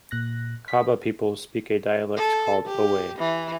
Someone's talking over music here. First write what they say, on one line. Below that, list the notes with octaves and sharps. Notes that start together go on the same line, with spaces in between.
Kabba people speak a dialect called Owe.
A#2 F#6 A#6
B6
A4
G4
E3